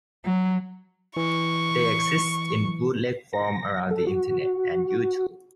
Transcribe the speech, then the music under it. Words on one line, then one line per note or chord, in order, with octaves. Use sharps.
They exist in bootleg form around the internet and YouTube.
F#3
E3 C#6
A#6
A4
F#4